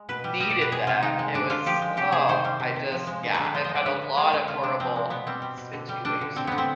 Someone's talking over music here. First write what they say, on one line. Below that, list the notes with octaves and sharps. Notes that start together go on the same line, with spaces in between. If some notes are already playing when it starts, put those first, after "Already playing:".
needed them, it was, oh, I just yeah, I've had a lot of horrible situations.
Already playing: G#3
B2 B4
G3
G3 D#5
D5
B2
B4
C3 G#4
C3 F4
D#3 D#4
G#3
D3 D4
D3 F4
F3 G4
G#3
C3 G4
C3 G#4
D#3 C5
G3
C3
C3
F3
G#3
D3
D3 G#4
B4
F3 C5
G#3 D#5
D5
D3 B4
G#3
G#3 G#4
D3 F4
C3 F4
C3 D4
F3 C4
G#3
B2 B3
G3 C4
G3
B2
D3
G3
G3 D4
D3
D3 C4
D3 B3
C4